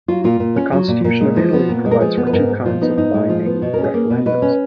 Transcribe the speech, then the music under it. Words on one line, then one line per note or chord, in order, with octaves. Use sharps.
The constitution of Italy provides for two kinds of binding referendums.
F#3 F4
A#2 F4
A#2
C#4
F#3
A#2
A#2
G#3
F3
B3
A#2
G#3
A#4
F3 G#4
B3
B4
G#2 A#4
G#3
F3 F4
B3 D#4
G#2 D#4
G#3
F3 F4
B3
B2
A#4
C#4
G#4
A#3
B2
B2 B4
C#4